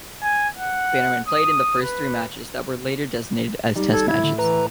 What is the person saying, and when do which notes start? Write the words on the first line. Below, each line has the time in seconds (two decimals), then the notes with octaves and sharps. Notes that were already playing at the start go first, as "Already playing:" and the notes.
Bannerman played in the first three matches that were later designated as Test matches.
0.23 G#5
0.57 F#5
1.28 D#6
1.82 B4
3.76 G3 D#4
3.93 G#1 A4 G#6
4.08 A2 E4 E5 G#6
4.24 D3
4.38 E3 B4 A#5